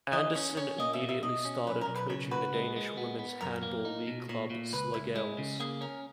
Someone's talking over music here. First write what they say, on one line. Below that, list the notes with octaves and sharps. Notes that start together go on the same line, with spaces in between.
Andersen immediately started coaching the Danish Women's Handball League club Slagelse.
E3 D#5
C#4 C#5
C#4 C#5
A#3 D#5
E5
A#2
E5
B2 D#5
C#4
B1 B4
A#4
B1
B4
C#3 C#5
F#4 B4
G#3
G#3
B3
B3
F#2 A#4
A#3
D#4
B2
A#2 C#5
A#2
C#2 B4
C#2 E4
G#3 E4
C#3
A#3 G#4
C#4 A#4